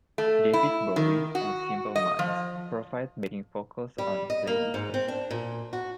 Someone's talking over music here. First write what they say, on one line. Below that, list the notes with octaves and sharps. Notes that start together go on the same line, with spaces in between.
David Bowie and Simple Minds provide backing vocals on "Play It Safe".
A3
E4
D#3
F#4
D#5
F3
G3
D#5
A#3
G#2
C4
D4
A#2
F#4